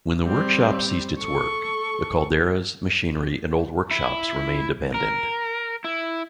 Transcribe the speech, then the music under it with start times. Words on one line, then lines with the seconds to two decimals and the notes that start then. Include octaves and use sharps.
When the workshops ceased its work, the calderas, machinery and old workshops remained abandoned.
0.25 G3 C4
1.19 A4 C#6
3.91 E4
4.94 A#4
5.84 E4